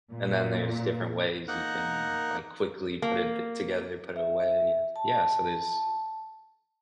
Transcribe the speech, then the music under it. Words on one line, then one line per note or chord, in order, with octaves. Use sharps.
and then there's different ways you can, like, quickly put it t together put it away, yes. Yeah, so there's
A#2
A#3 D#4 A#4 F#5 A#5 F#6
A#3
E5
A5